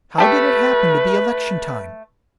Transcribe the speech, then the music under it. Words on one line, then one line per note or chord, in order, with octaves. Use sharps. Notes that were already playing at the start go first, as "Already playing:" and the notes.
How did it happen to be election time?
A3 G4 B4 A5